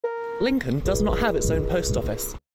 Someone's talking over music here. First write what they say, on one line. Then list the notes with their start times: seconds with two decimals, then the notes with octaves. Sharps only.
Lincoln does not have its own post office.
0.04 A#4
0.85 C#2